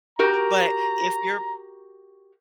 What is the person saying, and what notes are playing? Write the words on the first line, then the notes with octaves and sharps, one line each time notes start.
but if you're
F#4 G4 A#4 A#5